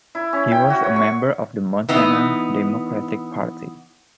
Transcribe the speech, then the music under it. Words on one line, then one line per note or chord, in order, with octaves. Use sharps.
He was a member of the Montana Democratic Party.
E4
C#4
G5
F#4
C#5
C#6
E3 B3 D#4